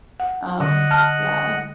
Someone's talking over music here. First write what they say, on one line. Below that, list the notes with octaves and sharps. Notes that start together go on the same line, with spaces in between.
um, yeah.
F#5
D3 D#5 F#5 F#6
A5 F6